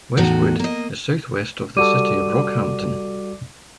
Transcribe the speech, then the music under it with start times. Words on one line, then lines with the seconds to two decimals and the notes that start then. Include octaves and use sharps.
Westwood is south west of the city of Rockhampton.
0.17 E2 A2 D#4 F#4
0.59 A#3 D#5
1.77 G3 F#4 A4 D5 D6 D#7